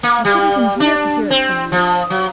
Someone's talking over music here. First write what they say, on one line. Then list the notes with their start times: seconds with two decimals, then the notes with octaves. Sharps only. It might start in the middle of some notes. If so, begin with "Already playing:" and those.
I couldn't endure to hear it from you.
0.03 A#3
0.25 G3
0.80 D4
1.31 C4
1.72 F3
2.10 F#3